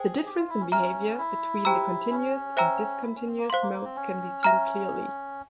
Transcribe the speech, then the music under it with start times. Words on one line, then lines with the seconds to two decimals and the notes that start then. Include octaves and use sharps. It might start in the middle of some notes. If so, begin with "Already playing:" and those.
The difference in behavior between the continuous and discontinuous modes can be seen clearly.
Already playing: G#4 C5 G5
0.26 G4
0.38 F4
0.49 E4
0.61 C#4
0.72 C#4 E5 A#5 F6
1.19 E4
1.65 G4 C5 G5 A#5 E6
2.11 C#4
2.57 C5 E5 G5 A#5 E6
3.03 E4
3.16 C#4
3.27 C4
3.38 A#3
3.50 C5 F5 C6
3.62 A#3
3.73 A#3
3.84 C4
3.96 C#4
4.43 E5 A#5 F6